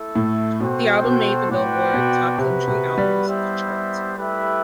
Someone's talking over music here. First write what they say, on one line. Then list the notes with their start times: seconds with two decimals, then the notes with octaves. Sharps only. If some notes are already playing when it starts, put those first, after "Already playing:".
The album made the "Billboard" Top Country Albums chart.
Already playing: A3 E4 A4
0.15 A2
0.60 B2 F#4 A4 C5 G5
1.04 B2
1.49 A2 C4 F#4 B4 D5 G5
1.94 B2
2.38 C3 B3 F#4 B4
2.68 C3
2.98 G3
3.27 B3 E4 G4 C5 E5
4.15 A3 E4 G4 B4 E5